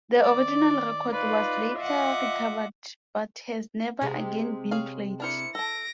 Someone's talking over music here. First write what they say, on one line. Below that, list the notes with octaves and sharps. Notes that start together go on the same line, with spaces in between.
The original record was later recovered but has never again been played.
D#3 D5
D#4 F4 B4 D5
F4 D#5 E5 F#5 D6
C3 G#3
G#4 C#5 F5
D4 E4 A#4 C5 C#7
A4 A5 A#6 D7